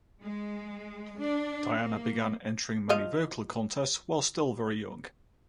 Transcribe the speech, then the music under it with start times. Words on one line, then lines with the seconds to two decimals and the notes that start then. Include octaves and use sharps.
Diana began entering many vocal contests while still very young.
0.21 G#3
1.18 D4
1.78 A#3
2.89 F3 D#5 F5